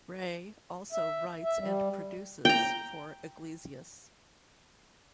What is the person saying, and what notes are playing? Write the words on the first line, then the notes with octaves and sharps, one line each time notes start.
Rey also writes and produces for Iglesias.
E5
E5
G3
G5 A#5